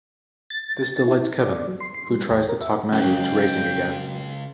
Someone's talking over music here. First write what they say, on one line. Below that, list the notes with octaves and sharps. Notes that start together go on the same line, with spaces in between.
This delights Kevin, who tries to talk Maggie into racing again.
A6
E4
D5
F#3
C6
C6
G3
E2
A#4
E5
C#2 F#3 A#3 C#4 G5